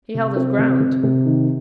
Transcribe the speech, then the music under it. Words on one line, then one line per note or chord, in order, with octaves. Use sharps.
He held his ground.
C3
C4
C3
C3
C3
D#3